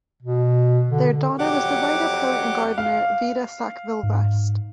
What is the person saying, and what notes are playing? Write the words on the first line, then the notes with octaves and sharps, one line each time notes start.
Their daughter was the writer, poet and gardener Vita Sackville-West.
B2
D3
F2 F#3 G4 F#5 D6
F5
G#2